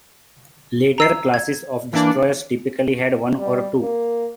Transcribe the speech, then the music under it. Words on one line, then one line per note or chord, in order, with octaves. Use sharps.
Later classes of destroyers typically had one or two.
A#5 E6 C7
G#6
E3 A#3 D4
G3
A#3